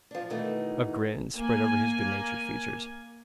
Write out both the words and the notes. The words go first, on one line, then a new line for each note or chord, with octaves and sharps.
A grin spread over his good-natured features.
F3 D4
B2 D#3 E3 A3 D#4
A#3 G#5